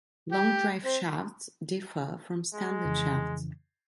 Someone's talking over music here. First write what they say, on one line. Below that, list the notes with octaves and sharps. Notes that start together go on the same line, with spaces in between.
Long drive shafts differ from standard shafts.
G4
C4
G#3
F2 C#3 E3